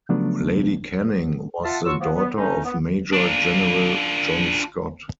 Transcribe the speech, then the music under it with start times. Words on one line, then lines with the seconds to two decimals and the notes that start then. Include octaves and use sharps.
Lady Canning was the daughter of Major-General John Scott.
0.09 C#3 F3 F#3 A3 B3 D4
1.64 F4 E5 F#5 A5
1.86 F#3 F4 C#6 E6
2.01 F3 A#3 B3
2.16 B3
2.37 A3 C#4 D#4
2.65 B3
3.13 D4 F4